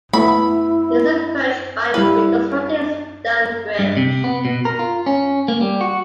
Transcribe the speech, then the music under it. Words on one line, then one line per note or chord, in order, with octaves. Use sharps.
It is approached by a reconstructed stone bridge.
A3 B3 E4 B5
G3 E4 B4 F5
G2
C3
B3
B2
A#4
F4
C#4
A#3
G3
F#4